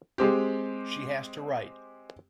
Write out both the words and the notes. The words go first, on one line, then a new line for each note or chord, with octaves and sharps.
She has to write.
G#3 C4 G4